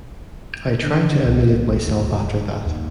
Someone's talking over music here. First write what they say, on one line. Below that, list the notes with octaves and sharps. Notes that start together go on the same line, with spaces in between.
I try to emulate myself after that.
D3
D3
C2
C2
A1
D#2
F#3
D1
D#2